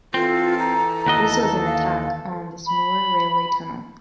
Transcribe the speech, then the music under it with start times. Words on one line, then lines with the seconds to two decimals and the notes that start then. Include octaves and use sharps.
This was an attack on the Saumur railway tunnel.
0.14 E3 C4 F4 A4
0.59 A#5
1.06 D#2 F#4 D#5
1.66 F5
2.67 B5